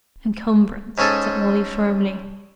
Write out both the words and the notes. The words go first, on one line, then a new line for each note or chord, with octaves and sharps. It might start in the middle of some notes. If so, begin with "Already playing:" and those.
"Encumbrance," said Wally firmly.
G#2 C#4 G#4 A4